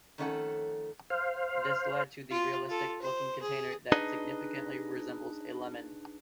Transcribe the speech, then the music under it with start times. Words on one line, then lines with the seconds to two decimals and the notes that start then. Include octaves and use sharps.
This led to the realistic-looking container that significantly resembles a lemon.
0.18 F2 D#3 A3 C#4 A4 F#5
1.10 C5 F5
2.30 F4
2.69 F4 A4
3.01 C5
3.42 G#4
3.92 D4 D#4 G#4 B4 D#5